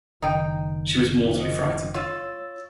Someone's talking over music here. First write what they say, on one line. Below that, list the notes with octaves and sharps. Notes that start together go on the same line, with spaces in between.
She was mortally frightened.
F#1 D#3 D#4 G5
F3 D#5
F4 C#5 E6 A6